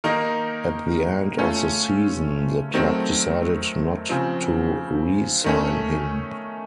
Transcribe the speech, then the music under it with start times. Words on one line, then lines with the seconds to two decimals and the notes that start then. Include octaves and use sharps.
At the end of the season, the club decided not to re-sign him.
0.04 D#3 A#3 D#4 A#4
1.38 A3 C#4 F4
2.74 D#3 F#3 A3 C4
4.09 C#3 F3 C4
5.44 D#3 A3 C#4